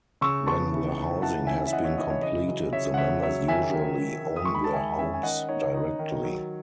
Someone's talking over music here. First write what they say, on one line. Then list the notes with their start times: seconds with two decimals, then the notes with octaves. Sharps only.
When the housing has been completed the members usually own their homes directly.
0.21 C#3 C#6 E6
0.46 B3 A5 C#6
0.72 E3
0.97 D#4
1.22 E3 F#5 A5
1.47 C#4 E5 G#5
1.67 E5
1.72 E3 D#5 F#5
1.84 C#5 E5
1.98 E3 D#5
2.10 C#5
2.23 C#3 D#5
2.48 F#3
2.73 C#3 C#5 E5
2.94 F#5
2.98 C#3 C#5 E5
3.22 F#3 C#5 E5
3.47 D#3 E5 G#5
3.73 D#3
3.98 D#3
4.23 D#3
4.36 D#6
4.45 G#3 C#6
4.55 B5
4.64 A5
4.73 D#3 E5 G#5
4.98 C#4 E5 G#5
5.14 G#5
5.23 D#3 D#5 F#5
5.49 D#4 C#5
5.74 D#4
5.99 D#3
6.24 F#3